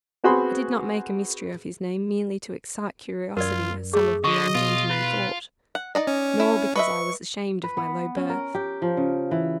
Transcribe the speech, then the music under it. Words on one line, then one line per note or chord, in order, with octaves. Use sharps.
I did not make a mystery of his name merely to excite curiosity, as some of the young gentlemen thought, nor because I was ashamed of my low birth.
B3 C4 F#4 G#4 B5 C6
F#2 F4 A#4 D5
A3 G#4
D3 D#5 C#6
B2 F4
E4 B4
F#5
D#4 D5 D#5
C#4
E4
B4 D#5 E5 C#6
B4
B3
C#4
A#4
G4
F3
C#3
E3